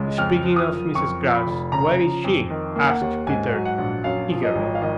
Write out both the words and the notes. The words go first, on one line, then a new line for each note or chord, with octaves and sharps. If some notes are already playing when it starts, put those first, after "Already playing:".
"Speaking of Mrs. Grouse, where is she?" asked Peter eagerly.
Already playing: C#2 G#3
F2 F6
F3
D#6
F#1
F2 C#6
F3
B5
F1
C#3 A#5
F3
F2
D#3
A#3
F#5
D#2
G#2 G#5
F#3
F#5
A#1
F#2 F5
F3
D#5
G#1
F5
D#3 D#5